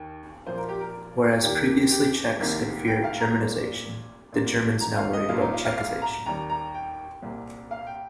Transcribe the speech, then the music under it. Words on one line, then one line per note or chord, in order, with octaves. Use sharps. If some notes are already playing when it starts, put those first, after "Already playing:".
Whereas previously Czechs had feared Germanization, the Germans now worried about Czechization.
Already playing: D#2 D#3
A#2 F3 A#3 C5
A#4
G4
A#4
D#2 D#3 A#3 G4
G4
C2 C3 D#3 A#3
G5
F5
A#5
A#2 G3 A#3
A#2 A#3
A#5
F5
D#5
C2 A#2 A#3 F4
D#4
F4
F5
F5
A#5
D#2 D#3 G3 A#5
A#5
G5
C2 A#2 A#3
F5
G5